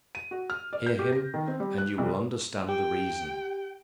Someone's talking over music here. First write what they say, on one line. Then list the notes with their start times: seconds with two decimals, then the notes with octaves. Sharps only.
Hear him and you will understand the reason.
0.15 D#7
0.31 F#4
0.50 F6
0.73 D5
0.86 G6
0.99 G4
1.13 A#6
1.34 D#3
1.48 C4
1.60 G3
1.78 F#6
1.98 C2
2.69 G4 G5